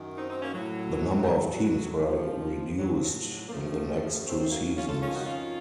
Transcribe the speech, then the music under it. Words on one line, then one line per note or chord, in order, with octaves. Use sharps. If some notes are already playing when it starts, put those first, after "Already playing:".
The number of teams were reduced in the next two seasons.
Already playing: F#2 D#3
C4 D#4
C4 D#4
A#3 C#4
A2 F#3
A3
A2 F#3
F2 C3 D#3 F3
A2 F#3
F3
F#3
A#3
F#2 C#3 F3 A3
F#2 C#3 A3 C4
A3 C4
F#3 A#3
C#4 F4
F4 A4
F2 D#3 C#4 F4
D#4 F#4
C#4 F4